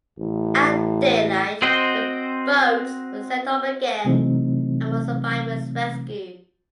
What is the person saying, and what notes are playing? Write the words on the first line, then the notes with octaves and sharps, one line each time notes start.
At daylight the boats were sent off again and more survivors rescued.
A1
C4 F#4 C5 D#5 G5
C3 E3 F#3 A3 C4 D#4